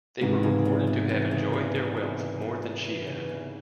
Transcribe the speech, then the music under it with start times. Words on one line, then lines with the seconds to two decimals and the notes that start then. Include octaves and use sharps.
They were reported to have enjoyed their wealth more than she had.
0.21 G#2 C3 E3
0.43 C#3
0.65 E2
0.87 E2
1.09 E3
1.31 C#3
1.53 E2
1.75 E2
1.97 E3
2.19 C#3
2.42 E2
2.63 E2
2.85 E3
3.07 C#3
3.29 E2